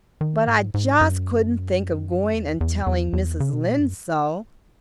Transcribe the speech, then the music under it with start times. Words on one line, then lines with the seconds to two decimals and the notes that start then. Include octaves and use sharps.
But I just couldn't think of going and telling Mrs. Lynde so.
0.21 D#3
0.47 G#2
0.74 G#2
1.01 F#2
2.34 E2
2.61 E2
2.87 E2
3.13 E2
3.40 C#3
3.53 B2
3.66 A#2
3.80 F#2